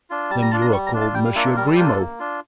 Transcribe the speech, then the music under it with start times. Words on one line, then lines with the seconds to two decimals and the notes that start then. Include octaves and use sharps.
"Then you are called Monsieur Grimaud?"
0.10 D4 F4
0.30 G3 A5
0.42 A#5
0.51 D4 F4 A5
0.62 A#5
0.72 G3 C#6
0.87 A#5
0.94 D4 F4
1.01 A5
1.14 G3 G5
1.25 F5
1.35 A#3 D4 F4 E5
1.46 E5
1.56 G3 A#4
1.66 A4
1.76 A#3 D4 F4 G4
1.86 A4
1.98 A#3
2.19 D4 F4